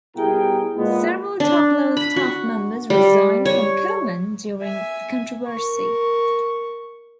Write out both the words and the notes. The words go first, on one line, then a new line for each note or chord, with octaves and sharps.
Several top-level staff members resigned from Komen during the controversy.
B2 G3 E4 G#4 A#4 G5
A#2 G#3 B3
D4
B5
F#4
G3
C#5
E5 G#5
A#4 C#6